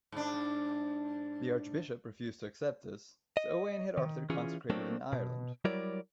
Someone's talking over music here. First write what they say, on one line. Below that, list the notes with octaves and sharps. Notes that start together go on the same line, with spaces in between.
The archbishop refused to accept this, so Owain had Arthur consecrated in Ireland.
G#2 D4
D#5
D#3
E3 C#4 F4 G#4
F#3 A3 A#3 C4 D4
B2
F#3 G3 E4 A#4 C#5 D5